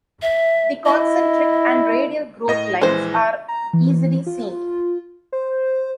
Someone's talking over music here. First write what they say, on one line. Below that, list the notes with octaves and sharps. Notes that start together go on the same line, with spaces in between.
The concentric and radial growth lines are easily seen.
E5
E4 D#5
A2 D#5 A#6
A#1 E3 G#3 C5
A#5
E3
F4
C5